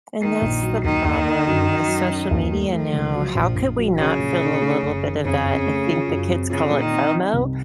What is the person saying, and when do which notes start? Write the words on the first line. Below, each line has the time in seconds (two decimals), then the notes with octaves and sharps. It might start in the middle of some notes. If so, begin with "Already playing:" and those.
And that's the problem with social media now, how could we not feel a little bit of that? I think the kids call it FOMO.
0.21 D#3 A#3
0.42 A#1
0.62 F#3
0.84 D#2 D#3
1.04 D#2
1.25 A#3
1.47 F#2
1.68 F#2
1.88 F#3
2.09 C#4
2.31 D#2
2.51 A3
2.73 F3 A3
2.93 C#2
3.14 F#3
3.35 A#1
3.56 A#1
3.78 F#3
3.98 C#3 F#4
4.19 A#2
4.40 D#4
4.61 A3
4.82 F#1
5.03 D#3
5.24 F2 C#3
5.44 F2
5.66 A3
5.87 F4
6.07 F#2
6.29 C4
6.49 C#3 F4
6.71 A#2
6.81 D#3
6.91 C4
7.12 C4
7.33 C2